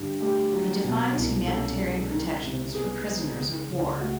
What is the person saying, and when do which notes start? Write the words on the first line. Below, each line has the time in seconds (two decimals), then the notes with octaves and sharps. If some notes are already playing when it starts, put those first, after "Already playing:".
It defines humanitarian protections for prisoners of war.
Already playing: G2 D3 G4
0.20 A3 G4
0.52 F#3
0.85 B2
1.16 C2
1.47 C#4 A4
1.80 G#3
2.12 D#3
2.43 C3
2.74 B3 G#4
3.06 G#3
3.38 C#3
3.70 C#2
4.01 A3 F#4